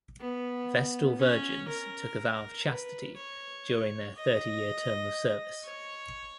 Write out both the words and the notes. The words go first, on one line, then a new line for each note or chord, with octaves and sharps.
Vestal Virgins took a vow of chastity during their thirty-year term of service.
B3
C#4
A#4
B4
C#5
D#5
C#5